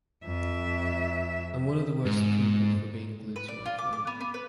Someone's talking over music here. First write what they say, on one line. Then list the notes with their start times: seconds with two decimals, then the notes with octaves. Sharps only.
I’m one of the worst people for being glued to my phone.
0.25 F2 E5
2.06 G#2
3.36 B4
3.48 D5
3.66 F4
3.79 D6
3.93 D6
4.07 B3
4.21 B3
4.34 B4